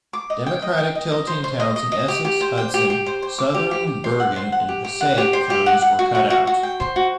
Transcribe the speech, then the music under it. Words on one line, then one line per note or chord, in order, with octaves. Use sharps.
Democratic-tilting towns in Essex, Hudson, southern Bergen and Passaic counties were cut out.
D6
D#5
G5
D#5
G5
D#5
D#5
C5
C5
D#5
D#5
D#5
G4
G4
C5
G5
G4
G4
C5
C5
D6
G4
G4
G4
C5
F#5
C5
F#5
G4
G4
F#5
G4
C5
G4
F#5
F#5
F#4
F#4
F#4
F#4
G5
C5
F#4